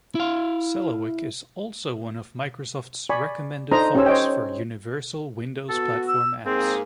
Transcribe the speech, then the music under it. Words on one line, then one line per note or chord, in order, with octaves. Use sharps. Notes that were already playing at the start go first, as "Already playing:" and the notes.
Selawik is also one of Microsoft's recommended fonts for Universal Windows Platform apps.
E4 F5
D5 G#5 B5 C#6
D4 D#4 A4 C5 D#5 A#5
C#4 G4 C5 C#5 E6
C5 C#5 D#5 G5
B3 F#4 A4
E6
G#2 A#3 C4 G#4